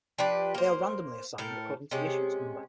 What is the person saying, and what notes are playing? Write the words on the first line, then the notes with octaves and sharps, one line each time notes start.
They are randomly assigned according to the issuance number.
F3 D4 G4 B4
A#3 C5
A2 A4 A#4
C3 G#3 C#4